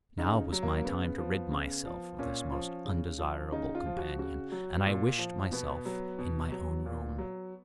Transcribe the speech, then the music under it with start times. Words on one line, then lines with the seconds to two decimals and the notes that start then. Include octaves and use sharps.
Now was my time to rid myself of this most undesirable companion, and I wished myself in my own room.
0.18 C#3 D#4
0.52 F#3
0.63 A#3
0.85 C#3 B3
1.18 F3
1.51 C#3
1.85 F3
2.19 A#2 C#4
2.52 F3
2.85 C#3
3.18 F3
3.52 C#3 D#4
3.75 F4
3.86 F3
3.97 F#4
4.18 C#3 F#4
4.52 F#3
4.86 A#2
5.18 F3
5.52 B2 B3
5.85 F#3
6.19 B2
6.52 F#3
6.86 A#2
7.18 F#3